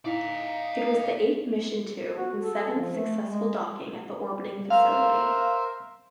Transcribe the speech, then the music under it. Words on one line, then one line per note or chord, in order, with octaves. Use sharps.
It was the eighth mission to and seventh successful docking at the orbiting facility.
D#4 E4 D5 F5
F#4
A4
F3
A3
G#3
A#4 C5 E5 F5